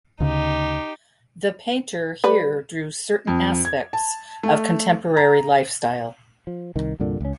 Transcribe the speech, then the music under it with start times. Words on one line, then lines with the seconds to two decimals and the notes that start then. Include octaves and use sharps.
The painter here drew certain aspects of contemporary lifestyle.
0.20 D2 C#3 D#4 G4
2.24 G3 B4
3.27 F2
3.65 G#6
3.93 A5
4.43 A3
5.17 A#5
6.47 F3
6.76 C2 D#3
7.00 C2 G2 A#2 D3
7.21 C#2 C#4